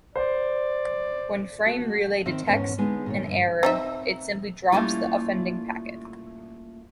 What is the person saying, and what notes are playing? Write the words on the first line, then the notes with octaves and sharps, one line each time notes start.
When Frame Relay detects an error, it simply drops the offending packet.
C5 D5
F#4 A4
D#3 C4 E5
E2 G#2 B3 C#4 A4
D3 G#3 B3 D#4 G#4
A#2 D#3 C#5
G2 D3
C4 D#4 E5
G3 A3 A#3 C#4 E4 F4